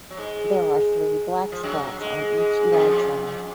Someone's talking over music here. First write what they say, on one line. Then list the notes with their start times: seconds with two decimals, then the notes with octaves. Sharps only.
There are three black spots on each elytron.
0.11 F#3
0.17 G#2 G#3
1.52 F3
1.63 F#2 F#3
2.00 G#2 G#3
2.37 G#2 G#3
2.72 F2 F3